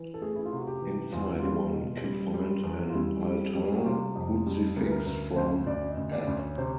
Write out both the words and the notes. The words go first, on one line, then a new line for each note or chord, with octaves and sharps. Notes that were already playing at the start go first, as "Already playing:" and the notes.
Inside one can find an altar crucifix from ab.
Already playing: E3
A4
A3 G#4
E4
F4
C3 F#4
G4
E3
E2 F4
E4
G3 F4
B2
G3
G3
E2
F4
G3 E4
G3
G3
F#4
C3 F4
F2
G3
D2 A#4
B4
A#4
D2 A#4
D2 C5
D2 D5
D#5
D2
D5
D2
C#5
C3 C5